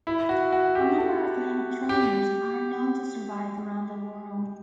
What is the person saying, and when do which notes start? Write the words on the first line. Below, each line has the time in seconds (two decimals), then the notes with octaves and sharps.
A number of Link Trainers are known to survive around the world.
0.07 E4
0.29 F#4
0.53 F#4
0.75 G4
0.98 A4
1.89 G4